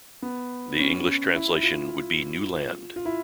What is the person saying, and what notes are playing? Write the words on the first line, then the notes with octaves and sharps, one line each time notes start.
The English translation would be "new land".
B3
C#4
E4
F4
F4
E4